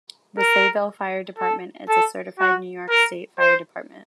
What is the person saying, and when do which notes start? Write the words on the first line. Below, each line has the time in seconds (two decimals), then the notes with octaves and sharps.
The Sayville Fire Department is a certified New York State fire department.
0.38 A#4
1.38 A4
1.89 A4
2.40 F#4
2.90 A#4
3.40 C5